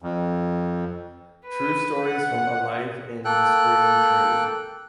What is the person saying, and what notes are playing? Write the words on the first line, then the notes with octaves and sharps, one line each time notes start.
True Stories From A Life in the Screen Trade.
F2
B4
F#5
A#3 A4 G5 F#6